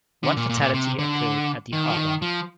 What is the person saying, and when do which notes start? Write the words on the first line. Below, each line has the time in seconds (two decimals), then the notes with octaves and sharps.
One fatality occurred at the harbor.
0.24 D3
0.37 A#2
0.49 A#2
0.61 A#2
0.74 C3
0.99 D3
1.73 D#3
1.90 F3
1.96 D#3
2.22 F3